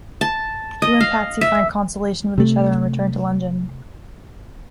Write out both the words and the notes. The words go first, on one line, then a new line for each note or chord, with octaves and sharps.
Hugh and Patsy find consolation with each other and return to London.
A5
D#5
F5
E5
C3 A3